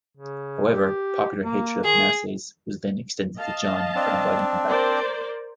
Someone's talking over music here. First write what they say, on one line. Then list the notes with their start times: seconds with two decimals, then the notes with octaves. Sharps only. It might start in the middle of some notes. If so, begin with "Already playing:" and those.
However, popular hatred of Narses was then extended to John for inviting him back.
0.17 C#3
0.73 G4
1.44 A#3
1.84 D#3 G#4
3.39 D#5 F5 A5
3.95 C4 D4
4.68 A#4 C5 D5